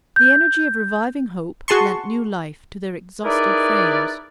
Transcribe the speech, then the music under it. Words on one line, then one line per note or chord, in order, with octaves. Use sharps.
The energy of reviving hope lent new life to their exhausted frames.
G6
F#4 G#4 A5 C6 C#6
D#4 E4 G#4 A#4 B4 D5